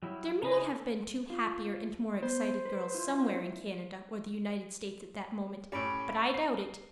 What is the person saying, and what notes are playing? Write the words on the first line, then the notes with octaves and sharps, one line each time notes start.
There may have been two happier and more excited girls somewhere in Canada or the United States at that moment, but I doubt it.
F#3 G3 E4
C#3 D#4 E4 G#4 A#5
A4
F4
B3 C5
B4
E4 F4
A2 C#4 G4 B5 D7
C7